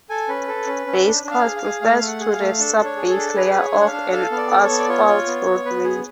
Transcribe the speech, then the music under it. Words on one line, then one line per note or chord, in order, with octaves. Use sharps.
"Base course" refers to the sub-base layer of an asphalt roadway.
A4 G#5
C#4 B4
A4
C#4
C#4
D4
D4
F5
G#4
F5
G#4
A3 F5
A3 F5
F#5
G#4
F5
A3
D4 A4
D4
C#5
G#4
A4
D4
G#4 B4
G#4
C#5
D4
F#5
F5
D4
A4 F5
B3 F5
D5
A4
C#5
B3
D5
F4 C#5
F4
B3
B3
B3 B4
G#4